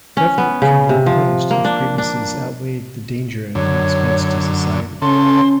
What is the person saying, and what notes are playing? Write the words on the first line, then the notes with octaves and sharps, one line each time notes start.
Government could be opposed if grievances outweighed the danger and expense to society.
C#4
B3
C#3
C3
F3
A#3
D4
D4
F#2 D3 C#5
C#3 C#4 A4 C6